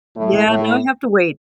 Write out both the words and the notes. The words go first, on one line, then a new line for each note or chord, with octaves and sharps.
Yeah, now I have to wait.
A2 A3
A2 A3